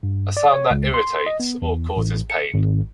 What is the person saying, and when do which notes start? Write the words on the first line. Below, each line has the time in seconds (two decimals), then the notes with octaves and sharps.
A sound that irritates or causes pain.
0.03 G2
0.37 D5
0.54 C#5
0.71 C#2
0.94 C6
1.26 D#5
1.40 B3
1.62 E2
1.97 A1
2.30 C#7
2.54 G#1